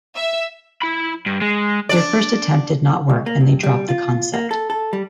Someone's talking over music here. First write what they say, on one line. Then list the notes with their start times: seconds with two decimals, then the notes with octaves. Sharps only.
Their first attempt did not work and they dropped the concept.
0.15 E5
0.82 E4 B5
1.26 G2
1.41 G#3
1.89 D4 D5
3.10 C#2
3.26 A#3
3.41 G2
3.63 G3
3.89 F4
4.34 A#3
4.51 A4
4.70 A4
4.93 G3